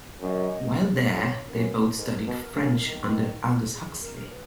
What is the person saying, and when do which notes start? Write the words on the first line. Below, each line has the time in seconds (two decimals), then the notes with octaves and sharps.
While there, they both studied French under Aldous Huxley.
0.21 F#2 D#5
1.09 F2 C#5
1.48 A#4
1.52 F#2 B4
1.96 G#2 A#4
2.26 B2
2.56 C#3
2.84 D#3
3.72 G#4
4.01 A#4
4.25 C#5
4.30 B4